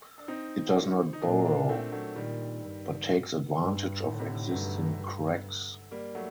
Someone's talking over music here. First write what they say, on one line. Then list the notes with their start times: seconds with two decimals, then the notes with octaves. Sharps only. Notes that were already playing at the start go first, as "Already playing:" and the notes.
It does not burrow but takes advantage of existing cracks.
0.18 D4
0.28 C4 D#4
1.13 D#4
1.22 A#2 A#3 D4
1.45 A#3 D4
1.69 A3 C4
1.92 F#3 A3
2.15 A#2 D#3 G3
2.63 G2
3.57 G2
4.03 A2 D#3
4.12 D3
4.19 C3
4.27 D3
4.51 G2 F#3 A3
4.97 G2
5.91 G3 A#3
6.15 F#3 A3